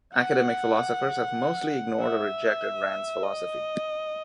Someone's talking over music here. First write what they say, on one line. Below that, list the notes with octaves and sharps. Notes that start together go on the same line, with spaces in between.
Academic philosophers have mostly ignored or rejected Rand's philosophy.
F#5
E5
D#5